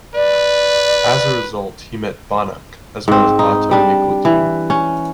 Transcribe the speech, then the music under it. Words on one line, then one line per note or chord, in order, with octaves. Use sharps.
As a result, he met Banach, as well as Otto Nikodym.
B4 D5
G#2 C4
D#4
G3 D4
E3
C#4